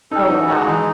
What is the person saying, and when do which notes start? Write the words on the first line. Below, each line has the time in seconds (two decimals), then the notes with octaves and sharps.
Oh, wow.
0.11 D#4 A4
0.30 D#4 F#4
0.49 G#3
0.66 E3 D#4